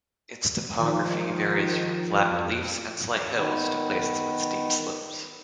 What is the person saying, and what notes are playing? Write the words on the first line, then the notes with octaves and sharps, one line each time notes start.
Its topography varies from flat reliefs and slight hills to places with steep slopes.
D#3 F3
F2
D#3 B3